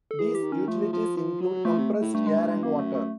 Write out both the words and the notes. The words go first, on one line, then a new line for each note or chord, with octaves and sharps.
These utilities include compressed air and water.
A4
E3 G#4
G4
D#3
C#4
F3 A3
F3
F3
F#3
F3 A3
C3
A2
G2 A3
G#3
A3
G#3
F#2 A#3
A3
A3